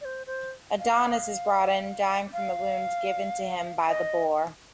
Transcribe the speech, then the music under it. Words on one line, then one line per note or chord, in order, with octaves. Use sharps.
Adonis is brought in, dying from the wound given to him by the boar.
D5
C5
C5
F5
F5
D#5